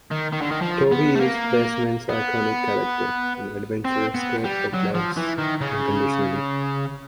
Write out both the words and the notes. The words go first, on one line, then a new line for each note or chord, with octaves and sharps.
Toby is Baseman's iconic character, an adventurous cat that loves unconditionally.
D#3
D#3
D3
D#3
F3
B3
A3
A#3
B3
C4
B3
G3
F#3
F3
E3
D#3
C#3